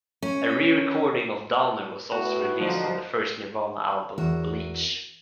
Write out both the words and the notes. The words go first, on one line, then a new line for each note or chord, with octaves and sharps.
A re-recording of "Downer" was also released on the first Nirvana album, "Bleach".
C#4
A2 B3 F#4
D3 F3 D#4
E2 F#4 A#4 E5